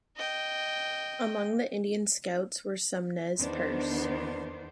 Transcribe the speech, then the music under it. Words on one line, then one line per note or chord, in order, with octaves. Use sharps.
Among the Indian scouts were some Nez Perce.
D#5 G5
E2 D#3 B3 D4 C5